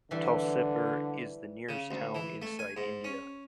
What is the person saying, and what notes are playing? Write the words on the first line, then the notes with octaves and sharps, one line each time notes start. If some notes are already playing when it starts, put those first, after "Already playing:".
Tulsipur is the nearest town inside India.
D3 E3 G3
C#3
D2
E3
A3
G#5
G#2
C#4